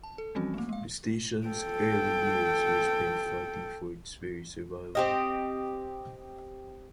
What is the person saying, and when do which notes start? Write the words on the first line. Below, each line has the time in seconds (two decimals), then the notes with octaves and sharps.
The station's early years were spent fighting for its very survival.
0.03 A5
0.18 A4
0.35 E3 F3 G3 C4 C#4 F#4
0.54 A3 A#3
0.69 G#3 F5
1.47 A4 G5
4.95 C4 G4 D#5